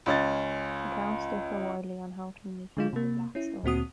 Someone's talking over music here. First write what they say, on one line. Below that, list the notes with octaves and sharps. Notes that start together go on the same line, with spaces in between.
Accounts differ widely on how to make and use a 'black stone'.
C#2 C#4 A6
D3 G#3 F4
C3 A#3
C#4 E4
D2 A#2 C4 F#4 D#6